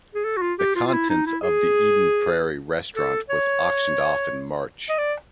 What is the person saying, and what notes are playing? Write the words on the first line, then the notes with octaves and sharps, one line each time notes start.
The contents of the Eden Prairie restaurant was auctioned off in March.
G#4
A4
F#4
F4
G4
F4
F4
E4
D#4
E4
G#4
A4
C#5
D#5
D5